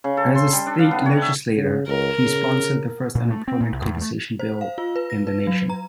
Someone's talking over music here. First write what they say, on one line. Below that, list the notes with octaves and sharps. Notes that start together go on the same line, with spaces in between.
As a state legislator, he sponsored the first unemployment compensation bill in the nation.
C#3
A4
C6
G3
D4
F5
B3
C#5
E5
C#3
C#2 A#4
C#3
A#2
A3
C4
A#2
C2
E2
A3
C5
F5
F4
B4
A#6
B4
F#3
A#5